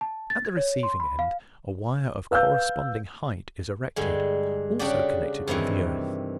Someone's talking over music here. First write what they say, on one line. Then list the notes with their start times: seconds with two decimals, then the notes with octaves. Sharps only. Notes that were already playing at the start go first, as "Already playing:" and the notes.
At the receiving-end a wire of corresponding height is erected, also connected with the earth.
0.01 A5
0.30 A6
0.45 G#6
0.57 C#5
0.83 C6
1.00 B5
1.19 F5
2.31 B4 F5 E6 G6
3.96 G2 D3 G#3
4.79 C#3 D4 F#4 G4 D5
5.48 G2 C3 D#3 E3